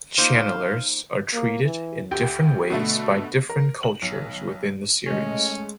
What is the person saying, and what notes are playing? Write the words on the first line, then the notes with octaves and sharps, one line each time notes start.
Channelers are treated in different ways by different cultures within the series.
A#3 D#4 F4 C5 F5
A#3
E3
D2 G4 G5
B2 D3 A3
A#4
F#7
B1
G#3 A3 C#4 D#5